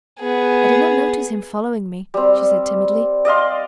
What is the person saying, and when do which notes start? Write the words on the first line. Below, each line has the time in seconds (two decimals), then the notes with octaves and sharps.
"I did not notice him following me," she said timidly.
0.20 B3 G#4
2.14 G3 C4
3.25 D5 D#5 F5 C6